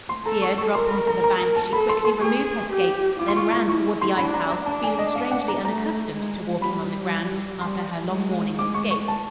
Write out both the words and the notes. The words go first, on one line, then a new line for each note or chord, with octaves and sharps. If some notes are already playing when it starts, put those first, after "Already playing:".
Here, dropping to the bank, she quickly removed her skates, then ran toward the ice house, feeling strangely unaccustomed to walking on the ground after her long morning on skates.
C6
A4 A#5
C#6
C#6
A#4 C6
B5
A#5
A#5
A#5
A5
A4 B5
C6
C6
G#4 C#6
G4
F4 D6
C6
C#6
C#6
E4 C#6
C6
D4 B5
A#5
A#5
D4 A5
G#5
D#5
F5
F#5
A#5
A3 A#5
G#3
G3 B5
G3 C6
G#3
G#3 D6
C#6
C#6
A5